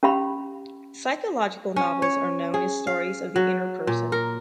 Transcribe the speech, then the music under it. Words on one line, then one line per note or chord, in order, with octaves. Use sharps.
Psychological novels are known as stories of the inner person.
C#4 G4 F5 B5
C#4
C#5
G#4
F5
F#3
A#2
A#4